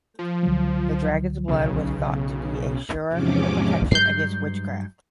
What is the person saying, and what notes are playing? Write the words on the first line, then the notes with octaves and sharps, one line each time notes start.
The dragon's blood was thought to be a sure protection against witchcraft.
F3
C#2 D3 F#3
B1 C#3
E2 G#2 C3 F3 C#4 D6
G2 F#3 G#3 G6 C7